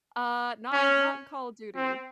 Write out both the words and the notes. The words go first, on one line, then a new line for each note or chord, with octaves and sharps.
Uh, not in not in Call of Duty.
C#4
C4